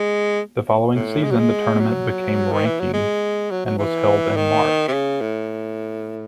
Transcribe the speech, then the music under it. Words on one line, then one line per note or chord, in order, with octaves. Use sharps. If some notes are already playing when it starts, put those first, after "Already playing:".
The following season the tournament became ranking and was held in March.
Already playing: G#3
A2
G#3
F#3
G#3
F#3
D#3
E3
F#3
G#3
F#3
F#3
E3
D#3
C3
C#3
A2